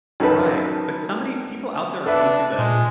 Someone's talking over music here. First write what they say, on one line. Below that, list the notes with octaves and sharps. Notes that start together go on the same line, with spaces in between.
Right, but somebody people out there are going through the
F#2 D#4 A4 B4 A5
D4 A4 B4 E5
A#2 G#3